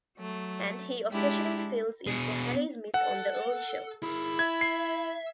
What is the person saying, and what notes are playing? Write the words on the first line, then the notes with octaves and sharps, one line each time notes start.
And he occasionally fills in for Harry Smith on The Early Show.
F#3 A3
G#3 D4 E4 G4
B2 G#4
A4 F#5
E4 G#4 A#4
E5 G#6
C7